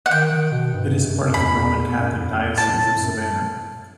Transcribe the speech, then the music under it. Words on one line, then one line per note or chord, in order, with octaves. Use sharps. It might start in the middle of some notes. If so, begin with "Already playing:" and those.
It is part of the Roman Catholic Diocese of Savannah.
F#5
D#3 G5
D#3
B2
G2
F#2
E2 B5
F#2
E2
A2 A5
A2
F#2